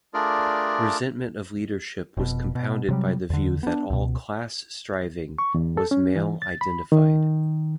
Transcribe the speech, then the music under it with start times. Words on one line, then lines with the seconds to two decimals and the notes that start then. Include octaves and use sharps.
Resentment of leadership was compounded by the view that all "class striving" was "male-identified".
0.14 A3 D4 F4 G#4 A#4 D5
2.17 F1 B2
2.55 B2
2.89 C3 F#3 G3
3.30 E2 D3
3.63 B3 D4
3.90 C#2 B2
5.38 C#6
5.54 E2
5.77 A4
5.91 C#4
6.16 E3
6.42 A6
6.61 B5
6.92 D#3